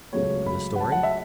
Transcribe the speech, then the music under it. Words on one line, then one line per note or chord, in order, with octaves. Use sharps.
For the story?
C#2 C#3 F#3 A3 C#5
B5
F#5
A5
F#5
E5